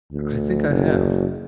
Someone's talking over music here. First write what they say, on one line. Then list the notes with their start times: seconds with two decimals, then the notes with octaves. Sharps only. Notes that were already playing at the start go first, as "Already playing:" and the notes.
"I think I have."
0.12 D2
0.69 F#1